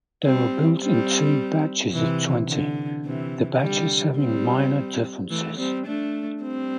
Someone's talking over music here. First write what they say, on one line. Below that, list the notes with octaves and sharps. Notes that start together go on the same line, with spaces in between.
They were built in two batches of twenty, the batches having minor differences.
G3 C4
G3 C4
C3 E3
D3
C3 E3
D3 G3
G3 C4
E3 A3
G3 C4
A3 D4
G3 C4